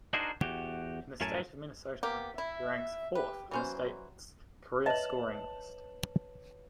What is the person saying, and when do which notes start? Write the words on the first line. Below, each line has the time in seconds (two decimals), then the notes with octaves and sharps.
In the state of Minnesota, he ranks fourth on the state's career scoring list.
0.13 D4 D#4 F#4 G#4 A#4 C5
0.41 E2 F#4 G4
1.21 F#2 A2 A#4 C#5 G#5 A5
2.03 A#3 B3 G4
2.38 E4 E5
3.15 G4 B4
3.51 E3 F#3 C#4 C5
4.86 B4 C#5 D#5 E5 A5 F#7